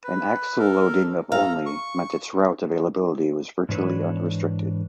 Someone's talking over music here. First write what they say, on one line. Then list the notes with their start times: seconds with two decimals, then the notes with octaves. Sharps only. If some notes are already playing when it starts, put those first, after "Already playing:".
An axle-loading of only meant its route availability was virtually unrestricted.
0.04 B4
0.59 A4 A#4
1.32 A4 F5 A#5
1.66 C#6
3.69 G#2 E3 D4 B4 C#5